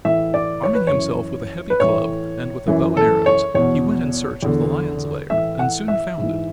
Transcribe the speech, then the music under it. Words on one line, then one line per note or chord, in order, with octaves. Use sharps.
Arming himself with a heavy club and with a bow and arrows, he went in search of the lion's lair and soon found it.
A2 E3 E5
D5
C#5
B4
C#5
F#2 E3
B4
A2 E3 C#5
F#2 E3
A4
C#5
E2 B2 C#5
E2 D3
A2 E3 E5
F#5
E5
G#2 E3